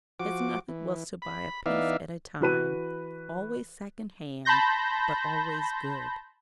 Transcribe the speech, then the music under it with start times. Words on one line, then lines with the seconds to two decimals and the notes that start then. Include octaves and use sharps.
His method was to buy a piece at a time, always second-hand, but always good.
0.20 F3 F#4 D6
0.69 E3
1.22 B5
1.66 E3 B3 D#4 D5 E5 F5
2.41 E3 F#4 B4 D#7
4.45 A5 B5 C6 G6 A#6